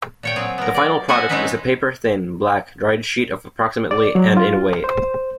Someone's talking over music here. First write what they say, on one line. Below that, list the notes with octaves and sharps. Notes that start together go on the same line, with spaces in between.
The final product is a paper-thin, black, dried sheet of approximately and in weight.
A#2 C#5 G5
F#3 C4 G#4
B3 A#4
D5
C5 D#5 E5 F#5 G#5 A5
G#3 C4 C#4 D#4 B4 E5
D5
F#3
F4
C5